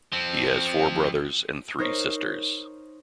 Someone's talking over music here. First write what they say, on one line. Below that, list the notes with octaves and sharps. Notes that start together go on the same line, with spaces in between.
He has four brothers and three sisters.
F3 C4
D#4 A#4 C5 C#5